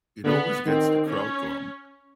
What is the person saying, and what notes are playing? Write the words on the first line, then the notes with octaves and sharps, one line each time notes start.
It always gets the crowd going.
D3 B3
D#3 C4
C#4